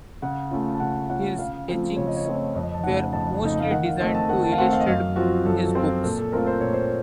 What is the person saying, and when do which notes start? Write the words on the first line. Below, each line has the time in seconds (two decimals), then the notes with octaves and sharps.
His etchings were mostly designed to illustrate his books.
0.22 C#3 F#5
0.51 A3 C#4 F4
0.74 A5
0.80 C#3 F#5
1.09 A3 C#4 F4 F#5
1.39 C#3 F5
1.68 F3 A3 C4 F4
1.96 C#3 C#5
2.07 D#5
2.16 C#5
2.25 F3 A3 C4 F4 D#5
2.36 C#5
2.55 F2 D#5
2.74 A5
2.83 C#3 A3 D#4 F#5
3.13 F2 A5
3.42 C#3 A3 D#4
3.60 F5
3.70 D#3 F#5
3.85 F5
4.00 A3 C4 D#5
4.15 A5
4.29 D#3 F#5
4.44 A5
4.52 F5
4.58 A3 C4 F#5
4.73 F5
4.80 D#5
4.87 F#2 F5
5.16 F3 C4 F4 F#4
5.45 F#2 A4
5.75 F3 C4 F4
6.03 A#2 A4
6.19 A4
6.32 A3 C4 F4 A#4
6.46 C5
6.61 A#2 C#5
6.73 C5